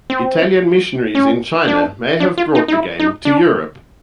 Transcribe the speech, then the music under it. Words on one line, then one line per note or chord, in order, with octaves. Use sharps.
Italian missionaries in China may have brought the game to Europe.
C4
C#4
D4
D4
F4
D#4
D#4
E4
D#4
D4